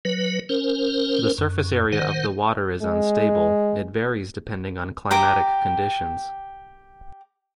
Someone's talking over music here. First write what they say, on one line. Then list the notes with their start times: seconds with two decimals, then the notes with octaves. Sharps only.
The surface area of the water is unstable, it varies depending on climatic conditions.
0.05 F#3 B4
0.49 C#4 A#4 C5
1.38 F#2
1.92 D#3 C5 F#5
2.82 G#3
5.11 G4 A#5 D6